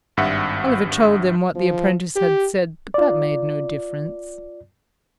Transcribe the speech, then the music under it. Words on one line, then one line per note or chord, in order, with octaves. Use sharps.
Oliver told them what the apprentice had said, but that made no difference.
G#1 G2 E5 F#5
F3
G4
F4 D5